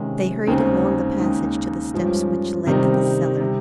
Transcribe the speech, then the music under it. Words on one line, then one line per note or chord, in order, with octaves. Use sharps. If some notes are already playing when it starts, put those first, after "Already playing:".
They hurried along the passage to the steps which led to the cellar.
Already playing: C3 D#3 G#3 C#4
D#2 C#3 G#3 C4 D#4
D#2 C#3 G#3 D#4
G2 F3 G#3 C#4
C3 D#3 G3 C4 D#4
C3 G3